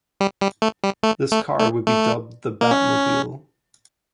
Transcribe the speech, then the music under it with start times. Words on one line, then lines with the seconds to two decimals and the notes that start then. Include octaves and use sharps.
This car would be dubbed the "Batmobile".
0.21 G3
0.41 G3
0.62 A3
0.84 G3
1.03 A3
1.32 A3
1.59 A3
1.87 A3
2.61 A#3
2.71 C#4